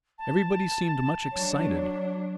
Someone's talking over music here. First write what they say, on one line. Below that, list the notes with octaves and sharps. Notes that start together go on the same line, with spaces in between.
Everybody seemed much excited.
A5
F#3 D4 C#5